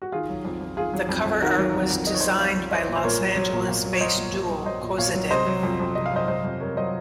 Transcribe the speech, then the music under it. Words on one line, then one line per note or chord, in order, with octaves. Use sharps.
The cover art was designed by Los Angeles-based duo kozyndan.
F#4
D#3 F4 G#4
F#3
F2
F2
D#3 F4 G#4
F#3
F2
F2
D#3 F#4 A#4
F#3
F2
F2
D#3 D#5
C#5
F#3 C5 D#5
F2 C#5 F5
F2
F#3 C5 D#5
A#2
C5
A#2 A#4 C#5
F#3
F#3
A#2
A#2
F#3
C#5
F#3 C5 D#5
A#2
A#2
F#3
F#3 C5 D#5
A#2
A#2 C#5 F5
F#3
C3 C5 D#5
F#3
F2
F2
C3 D#5
F5
F#3 C5 D#5
F2 C5 D#5
F2
C3 A#4 C#5
F#3 C5 D#5